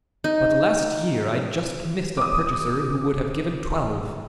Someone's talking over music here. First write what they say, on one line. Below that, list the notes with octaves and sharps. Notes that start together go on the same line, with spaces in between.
But last year I just missed a purchaser who would have given twelve.
D#4
D6 D#6